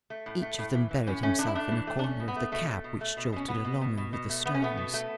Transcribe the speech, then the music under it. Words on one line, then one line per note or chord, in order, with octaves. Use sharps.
Each of them buried himself in a corner of the cab which jolted along over the stones.
A3
A2
A3
A2
E3
E3
A2 C#4
A3 C#4
A2 D4
E4
A3 D4
E3
A3
D4
A3 C#4
B2
B3
A3
B2 A3
A3
B2
A3
B2
B2 C#4
B2 B3
B2
B2
B2
B2
A3
A3 B3
C#4
A3 B3
B2
A3